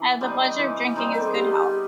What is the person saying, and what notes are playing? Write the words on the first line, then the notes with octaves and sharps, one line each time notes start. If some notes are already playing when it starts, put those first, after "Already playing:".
I have the pleasure of drinking his good health.
Already playing: E3
G3 C4 D#4
E3
G3 C4 D#4
A#4
A4
G#4
B3 G4